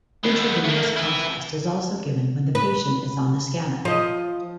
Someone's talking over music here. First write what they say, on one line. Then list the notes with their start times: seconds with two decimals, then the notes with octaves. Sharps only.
Intravenous contrast is also given when the patient is on the scanner.
0.23 D#2 B3
0.65 A3 A#3
0.97 E4 B4
2.55 B4
3.85 F3 D#5